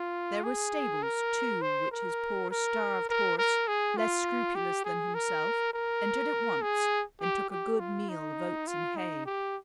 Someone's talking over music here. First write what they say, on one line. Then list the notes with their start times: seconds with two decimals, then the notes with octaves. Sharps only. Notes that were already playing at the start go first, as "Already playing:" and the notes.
There were stables too, which his poor, starved horse, less scrupulous than himself, entered at once, and took a good meal of oats and hay.
Already playing: F4
0.44 G#4
1.03 A#4
1.62 C5
1.91 A#4
2.51 A#4
3.09 A#4
3.38 A#4
3.68 G#4
3.97 F4
4.55 G4
4.85 G#4
5.15 A#4
5.74 A#4
6.62 G#4
7.21 G4
7.50 G4
7.80 F4
8.09 D#4
8.68 F4
8.97 D#4
9.26 G4